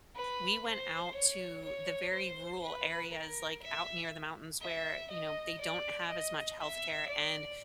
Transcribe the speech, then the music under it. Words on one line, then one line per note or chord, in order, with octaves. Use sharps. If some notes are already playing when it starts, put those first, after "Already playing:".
we went out to the very rural areas, like, out near the mountains where, you know, they don't have as much healthcare, and
B4
C5
C#5
C#5
C5
B4
A#4
E5
E5
D#5
D5
D#5
E5
D5